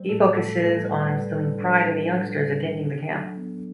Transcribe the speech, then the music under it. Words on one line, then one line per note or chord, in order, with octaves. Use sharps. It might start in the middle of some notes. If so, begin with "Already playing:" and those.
He focuses on instilling pride in the youngsters attending the camp.
Already playing: G3 C5
A2 A4
A2 A4
A2 B4
G3 C5
G3 B4
G3 A4
D4
D4
G3
D4
D4
D4
F#3
B3